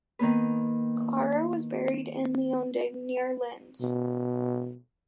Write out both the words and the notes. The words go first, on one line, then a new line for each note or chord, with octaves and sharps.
Klara was buried in Leonding near Linz.
D#3 A#3 B3 B4
B2